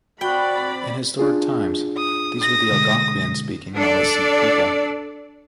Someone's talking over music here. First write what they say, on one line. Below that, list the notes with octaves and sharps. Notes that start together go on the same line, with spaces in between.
In historic times, these were the Algonquian-speaking Maliseet people.
C4 F#4 D5 G5 B5
D4 F4 G#4
D#6
D#6 A#6
B2 D3 G#3
D4 A4 D5